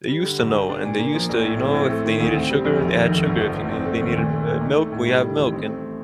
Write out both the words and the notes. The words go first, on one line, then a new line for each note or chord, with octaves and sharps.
they used to know and they used to, you know, if they needed sugar, they had sugar, if you needed they needed, uh, milk, we have milk and
G3
D3
G1
G4
D4
A#2
A#3
F3
A#1
A2
C4
A2
A3
D#3
D2
C4
G3
A#1
F1
D#3
F1
G1
F3
G1
C4
A3
D#2
A#2
A3
A#2
D#4
A3
A2
G3
D#3
A1
C4
A3